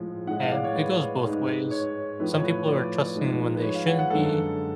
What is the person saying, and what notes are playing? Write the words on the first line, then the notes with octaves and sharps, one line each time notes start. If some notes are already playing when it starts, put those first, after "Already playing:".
And b it goes both ways. Some people are trusting when they shouldn't be,
Already playing: A2 F3 G#3
A2 G#3 F#5
F5
D5
C#5
B4
G#2 G#3
C#5
A2 F3 A3 B4
C#5
B4
D5
G#2 F3 G#3
B4
C#5
F5
F#5
F#5
F#2 D3 G#3 A4